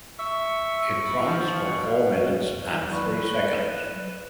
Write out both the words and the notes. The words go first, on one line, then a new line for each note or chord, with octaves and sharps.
It runs for four minutes and three seconds.
E5 C#6
E4
F3
B2
F#4
F#3 B4 D5 B5 C#6